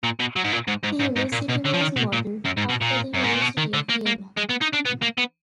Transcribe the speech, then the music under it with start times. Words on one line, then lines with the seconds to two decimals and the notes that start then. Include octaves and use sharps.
The university was modeled after the University of Vienna.
0.04 A#2
0.20 B2
0.36 F#3
0.44 G#2
0.52 A#2
0.68 G#2
0.84 G#2
1.00 G#2
1.16 G#2
1.32 A#2
1.49 B2
1.65 D3
1.73 F3
1.81 D#3
1.96 B2
2.13 A#2
2.45 F#2
2.57 G#2
2.69 B2
2.81 A#2
3.14 F#2
3.23 G#2
3.32 A#2
3.42 B2
3.57 D#3
3.74 D3
3.89 A#3
4.06 A#3
4.37 G#3
4.50 B3
4.62 D#4
4.74 D4
4.86 B3
5.02 A#3
5.18 B3